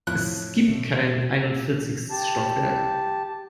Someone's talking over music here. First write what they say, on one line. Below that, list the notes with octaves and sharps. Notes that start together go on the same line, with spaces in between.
Es gibt kein einundvierzigstes Stockwerk.
F2 A2 F3 F#6
B2 D3 A3
G4 A5